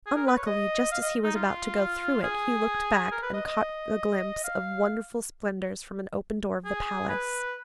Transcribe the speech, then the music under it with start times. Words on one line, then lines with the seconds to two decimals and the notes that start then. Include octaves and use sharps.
Unluckily, just as he was about to go through it he looked back and caught a glimpse of wonderful splendours from an open door of the palace.
0.06 G#4
0.16 A#4
0.27 B4
0.37 C#5
0.46 D#5
0.92 F5
1.02 D#5
1.24 D#4
1.35 F4
2.23 G#4
3.12 A#4
3.22 B4
3.33 D#5
3.45 D#5
4.44 F5
6.65 G#4
7.09 B4